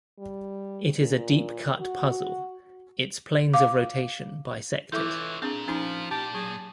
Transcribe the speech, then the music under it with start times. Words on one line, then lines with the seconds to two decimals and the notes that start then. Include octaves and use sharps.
It is a "deep-cut" puzzle; its planes of rotation bisect it.
0.19 G3
0.97 A#2
1.80 F#4
3.54 F5 D6
4.92 E3 E4 F4 A4 C#5 E5 D6 G6
5.42 C4 D4 F4 G#4 A#5
5.68 F3 C#4 D#4 C6
6.11 A#2 G4 A5 A6
6.34 F#3 G#4